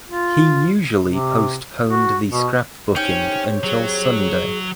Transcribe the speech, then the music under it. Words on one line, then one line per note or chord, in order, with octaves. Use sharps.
He usually postponed the scrapbooking until Sunday.
F4
C3
F#4
B2
C4 C#4 D#4 G4 C#5 G5
F#3 G#4